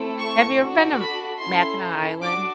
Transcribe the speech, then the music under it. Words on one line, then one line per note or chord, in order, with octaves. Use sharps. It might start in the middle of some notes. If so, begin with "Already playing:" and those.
have you ever been to Mackinac Island?
Already playing: A3 C4 E4 A4
C#6
D4 F#4 A4
B5
C#4 E4 A4 C6
D4 F#4 D6